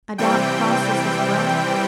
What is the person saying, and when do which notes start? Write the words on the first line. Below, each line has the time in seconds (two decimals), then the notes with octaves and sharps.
A doubt crosses his brow.
0.18 C3 E3 G3 C4 G5